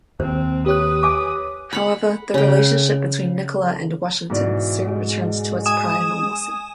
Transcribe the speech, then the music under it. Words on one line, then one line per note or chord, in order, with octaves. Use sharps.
However, the relationship between Nicola and Washington soon returned to its prior normalcy.
D#2 C4 C5
G4 B4 C#5 D#6 F#6
G#5 D6
F#5 B5
C#3 G5
G#2 B2 E3 D5
G#3
G#5 D#6 E7